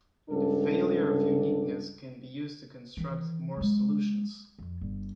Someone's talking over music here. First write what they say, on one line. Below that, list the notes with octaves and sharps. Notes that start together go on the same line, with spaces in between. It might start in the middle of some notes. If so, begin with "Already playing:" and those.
The failure of uniqueness can be used to construct more solutions.
C#2 G2 D4 A4
D#3 E3
F#3 G#3
F2
G1